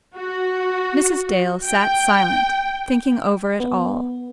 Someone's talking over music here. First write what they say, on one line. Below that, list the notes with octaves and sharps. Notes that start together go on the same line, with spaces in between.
Mrs. Dale sat silent, thinking over it all.
F#4
G5
B3